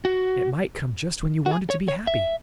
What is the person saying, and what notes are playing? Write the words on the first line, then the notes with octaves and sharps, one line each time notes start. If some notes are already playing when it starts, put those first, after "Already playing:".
"It might come just when you wanted to be happy!"
F#4
F#4
G#4
C#5
C#5
E5